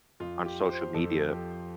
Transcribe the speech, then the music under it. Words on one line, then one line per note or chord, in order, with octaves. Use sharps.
on social media,
F2 F4
G4
F3
C5
F2 A4
F3 G4